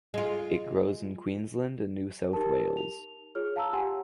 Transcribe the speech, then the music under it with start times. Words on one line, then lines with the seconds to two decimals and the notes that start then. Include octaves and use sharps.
It grows in Queensland and New South Wales.
0.14 G#3 F4
2.33 D#4 G4 A#4 A5
2.77 F7
3.35 F4 G#4 C#5 F6
3.56 F5 A5 A#5 E6
3.73 G4 F#5 G#5 C6